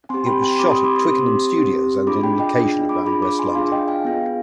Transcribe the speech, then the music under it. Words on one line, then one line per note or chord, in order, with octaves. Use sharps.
It was shot at Twickenham Studios and on location around West London.
C4 G4 G#5 C6
G5 B5
G#5 C6
C4 G4 B5 D6
C6 D#6
B5 D6
C6 D#6
C4 G4
C4 G4
D4 F4 G#4 B5 D6
G5 B5
D#5 G5
D4 F4 G#4
B5 D6
D4 F4 G#4 B5 D6
B5 D6
G#5 C6
D4 F4 G#4 F5 G#5
D#5 G5
F5 G#5
B3 F4 G#4